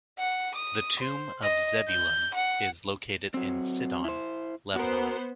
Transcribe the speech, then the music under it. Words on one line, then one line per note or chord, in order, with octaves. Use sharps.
The Tomb of Zebulun is located in Sidon, Lebanon.
F#5
D#6
C5
D#5
G6
F#5
F#3 C4
E4 C5
B3 F#4 A#4 C5